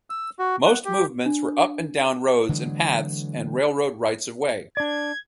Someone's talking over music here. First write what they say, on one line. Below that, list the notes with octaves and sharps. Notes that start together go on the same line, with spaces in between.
Most movements were up and down roads and paths and railroad rights-of-way.
E6
F#4
F#5
G4
D4
D3 E3 F#3 G#3
D4 D5 G#6